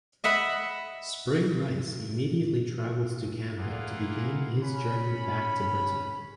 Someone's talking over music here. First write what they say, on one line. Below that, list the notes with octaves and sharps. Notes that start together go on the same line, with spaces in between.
Spring Rice immediately travelled to Canada to begin his journey back to Britain.
D#5 E5 F#5 B5
A#3 E4 F4 G#4 F#5
C#4 B5